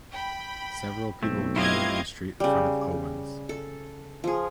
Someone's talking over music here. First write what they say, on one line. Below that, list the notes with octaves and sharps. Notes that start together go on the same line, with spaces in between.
Several people gather in the street in front of Owen 's.
G5 B5
B1 A3 C4
E4 F4 G4 D#5 F5 G#6
C#3 G3
A4
F3 G#4